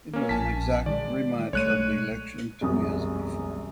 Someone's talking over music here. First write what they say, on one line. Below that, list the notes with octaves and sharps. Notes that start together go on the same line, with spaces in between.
It was an exact rematch of the election two years before.
A#3 C#4
A#1 G#5 A5 B6
D#3 G3 G#3 D5
B1 G#3 A3 C#5 F#6 D#7
E1 C2 F#2 F#3 D#6